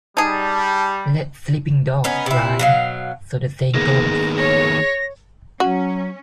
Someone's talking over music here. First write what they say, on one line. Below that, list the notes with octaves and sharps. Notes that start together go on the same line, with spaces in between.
Let sleeping dogs lie, so the saying goes.
G3 D#4 G#4 A5
B3 C#4 D#4
C3 E4
B2 F#3 F5
D#3 A#3 B3 G#4 A#6
C#5 A#6
F#3 C#4 F#4